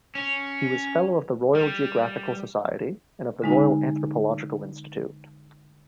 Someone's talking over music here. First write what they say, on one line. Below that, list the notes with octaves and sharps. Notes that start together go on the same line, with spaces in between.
He was fellow of the Royal Geographical Society and of the Royal Anthropological Institute.
C#4
G3
D3 G#3 D#4